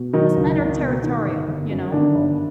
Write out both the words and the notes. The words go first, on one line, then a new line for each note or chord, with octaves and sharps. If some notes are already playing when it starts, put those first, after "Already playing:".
'Cause men are territorial, you know?
Already playing: B2
D#3 F#3 D#4
C#2
C#2
B2
D#3
G1
G1
F#2
D3 D#3 D4
G1